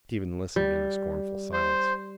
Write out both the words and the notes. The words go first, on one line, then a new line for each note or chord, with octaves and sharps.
Stephen listened in scornful silence.
G3
C5